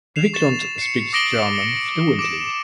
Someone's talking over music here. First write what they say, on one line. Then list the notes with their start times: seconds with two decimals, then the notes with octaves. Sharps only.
Wiklund speaks German fluently.
0.16 C7 E7 F7
0.34 C#6 A6 E7
0.78 C7 C#7
1.13 D6 D#6 A#6 D7 F#7 G7
1.55 C#7
2.19 D6 D7 E7